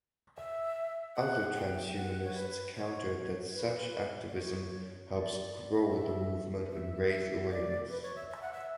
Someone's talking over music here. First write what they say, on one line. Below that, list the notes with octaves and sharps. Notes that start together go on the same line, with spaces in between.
Other transhumanists countered that such activism helps grow the movement and raise awareness.
E5
F#5
G5
F#5
C#5
B4
C#5
B4
D5
C#5
D5
E5
E5
E5
C#5
D5
B4
C#5
E5
E5
F#5
E5